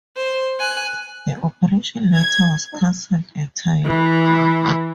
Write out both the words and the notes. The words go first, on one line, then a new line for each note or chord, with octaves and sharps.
The operation later was canceled entirely.
C5
G#5 F#6
G#6
E3